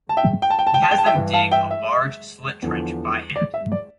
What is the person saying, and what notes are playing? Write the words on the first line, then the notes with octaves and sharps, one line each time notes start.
He has them dig a large slit trench by hand.
A5
E5 G5
G5
A5
G5
A5
G5
A5
G5
A5
E5 G5
G2 E3
F5 A5
E5 G5
E5
E2 D3 F3
D5
E5
D5